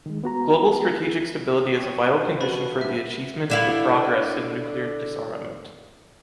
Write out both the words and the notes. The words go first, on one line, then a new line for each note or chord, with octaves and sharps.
Global strategic stability is a vital condition for the achievement the progress in nuclear disarmament.
D#3 G#3
B3 F#4 A#5
G4 C#5
F#2 A#3
D2 C5
F3 F#4 B4 B5
G2 F3 G#3 E5
D3 E4 F5